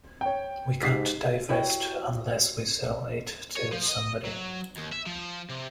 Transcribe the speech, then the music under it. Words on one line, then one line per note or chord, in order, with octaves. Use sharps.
We can't divest unless we sell it to somebody.
C#5 G5
G#2 G4 B6 C7
E4 F#4 G4 C#5 G5
C#5
F3
D#5
F#3
D#2
E5
F3
C3